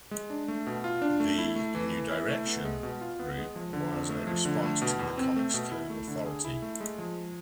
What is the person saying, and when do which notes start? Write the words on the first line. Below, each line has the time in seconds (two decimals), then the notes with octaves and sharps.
The "New Direction" group was a response to the Comics Code Authority.
0.11 G#3
0.30 D4
0.48 A3
0.67 B2
0.84 F4
1.02 D4
1.20 A3
1.38 E4
1.56 A3
1.75 E3
1.93 E3
2.11 E4
2.29 A3
2.47 B3
2.65 G#3
2.83 B2
3.01 F4
3.19 B3
3.37 G#3
3.56 F3
3.73 D3
3.92 F2
4.09 A3
4.27 F3
4.45 D3
4.63 A3
4.82 B2
4.99 E2
5.18 C4
5.36 A3
5.54 B2
5.71 E4
5.90 A3
6.08 D3
6.26 G#4
6.45 E4
6.62 A3
6.81 G#3
6.98 F3